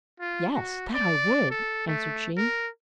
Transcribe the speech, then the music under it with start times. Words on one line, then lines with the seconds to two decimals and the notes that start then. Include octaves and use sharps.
'Yes, that I would!' answered she.
0.20 F4
0.55 F#4
0.94 D5
1.50 A4
1.87 A3
2.37 A#4